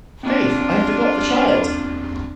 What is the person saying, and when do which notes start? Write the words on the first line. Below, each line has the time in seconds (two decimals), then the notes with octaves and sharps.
Faith, I forgot the child!
0.23 C4 D4 F4